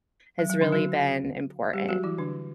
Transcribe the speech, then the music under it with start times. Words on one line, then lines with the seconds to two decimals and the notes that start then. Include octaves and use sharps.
has really been important.
0.39 F#3
0.50 F#3
0.61 D3 D4
0.72 F#3 F#4
1.73 G3 G4
1.89 F#3 F#4
2.03 E3 E4
2.18 D3 D4